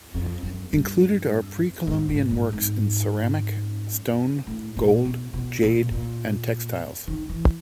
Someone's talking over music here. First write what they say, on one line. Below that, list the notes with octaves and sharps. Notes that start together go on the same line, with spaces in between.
Included are pre-Columbian works in ceramic, stone, gold, jade and textiles.
F2
F#2
G2
G#2
G#2
G#2
G#2
A2
A#2
B2
B2
A#2
A#2
D#3
E3